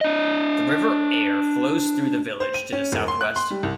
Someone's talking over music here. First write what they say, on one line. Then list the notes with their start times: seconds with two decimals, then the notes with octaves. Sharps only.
The River Aire flows through the village to the south-west.
0.01 D4 D#5
2.40 C5
2.54 D#7
2.73 C#4
2.92 E1
3.08 C6
3.21 F#6
3.36 C6
3.51 G3
3.63 C2